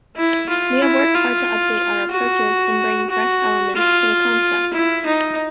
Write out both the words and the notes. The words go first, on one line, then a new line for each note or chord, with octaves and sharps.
We have worked hard to update our approaches and bring fresh elements to the concepts.
E4
F4
E4
F4
F#4
F#4
F4
E4
D#4